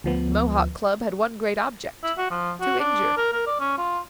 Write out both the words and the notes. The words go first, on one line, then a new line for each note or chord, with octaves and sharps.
The Mohawk Club had one great object--to injure.
D2 F3 B3
E4
F#4
F3
F#4
D4
A#4
A#4
D5
C#4
F4